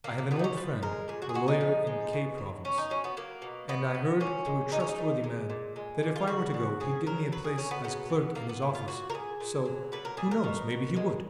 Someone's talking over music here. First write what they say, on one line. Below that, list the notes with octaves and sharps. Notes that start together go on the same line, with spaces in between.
I have an old friend, a lawyer in K. province, and I heard through a trustworthy man that if I were to go he'd give me a place as clerk in his office, so, who knows, maybe he would.
A#2 A#3
A#3
A#2 B3
D#4
C#4
F3 B4
G#3 A#4
A#2 G#4
F#4
G#4
G#3 F#4
D#4
F3
G#3
B2
F#3
B2 C#4
D#4
F#3 C#4
B3
F#3 A#3
B2
B2 B3
F#3
A#2 C#4
G#3
A#2 D#4
C#4
D#4
A#2
G#3
A#2
G#3
A#2
F4
C#3 F#4
C#3
C#3 G#4
F#3 A#4
F#3 B4
G#4
F#3 C#4
B3
C#3 B3
C#3
A#2 A#3
B3
A#2
F4
A#2 F#4
A#4
A#2 G#4
A#2
F#3
A#2 B4
A#4
A#2 G#4
A#4
B2
B2
G#3